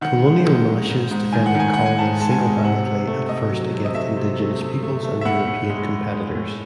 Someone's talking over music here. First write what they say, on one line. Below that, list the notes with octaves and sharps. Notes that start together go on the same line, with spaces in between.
Colonial Militias defended colonies single-handedly at first against Indigenous peoples and European competitors.
D#3 F#5
G#3
G#3
G#2
G#2
G#2
D#3 G#5
F#5
D#3
G#5
D#3 F#5
G#5
G#2 A5
G#3 A5
G#5
G#3
C3 F#5
C3
A3
A3 D#5
F#3
C3
D#5
A3 E5
C3
A3
A3
A3
A3
E5
A2 F#5
A2
G#3
G#3
G#3
A2